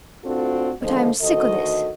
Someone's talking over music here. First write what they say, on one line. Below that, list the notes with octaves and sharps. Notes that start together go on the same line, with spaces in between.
But I'm sick o' this!
A2 C4 D4 F4 F#4 A4
D3 D#3 F3 G#3 C5 D#5
D2 D#3 F#4 A4 D#5